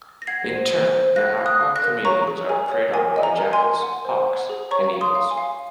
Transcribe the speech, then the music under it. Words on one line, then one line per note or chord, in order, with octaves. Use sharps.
In turn, Namaqua chameleons are preyed upon by jackals, hawks, and eagles.
A#6
F#5 G#6 C7
C5
C5
C5
F5 F#6 A#6
F5
D#6 F#6
F5
F#6 A#6
A#4
C#5 A#5 C#6
G#4
G#4 G#5
C#5
A#4 G#5
D#5 G#5
A#5
A#4
G#5 C6
A#4
F#5
C5
F#5
G#4
C#5 A#5 C#6
F5
C6 D#6
F5
G#5
F5